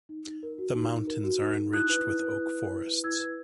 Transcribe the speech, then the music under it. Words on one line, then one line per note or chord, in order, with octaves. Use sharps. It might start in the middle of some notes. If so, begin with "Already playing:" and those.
The mountains are enriched with oak forests.
D#4
D#4
A#4
F#4
D#4
D#4
A#4
F#4
D#4
D#4
E4 D#6 F#6
B4
E4
B4
E4
B4
E4
B4
E4 E6 G#6
B4